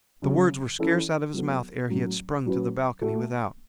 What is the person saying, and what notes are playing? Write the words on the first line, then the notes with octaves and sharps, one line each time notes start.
The words were scarce out of his mouth ere he had sprung to the balcony without.
C#3 F#3 C#4
E3 C#4 E4 A4
F#3 B3 F#4 A4
A2 F#3 C#4
F#3 C#4 F#4 B4
A3 F#4 A4